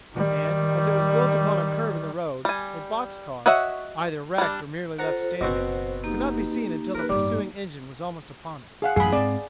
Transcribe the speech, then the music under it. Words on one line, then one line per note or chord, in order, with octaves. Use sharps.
And, as it was built upon a curve in the road, a box-car--either wrecked or merely left standing--could not be seen until the pursuing engine was almost upon it.
D#3 G3
G3 G#5
F#4 C#5 D#5 E5 F#5
G3 D4
F4 A4 C5 F#5 A#5
F#1 B2 B3 C4 F#4 C5
A#3 D#4 G4
F3 A#4 B4
A1 G2 G3
G#4 F5 F#5
A1 F#2 G#4 B5
G#2 C4 D5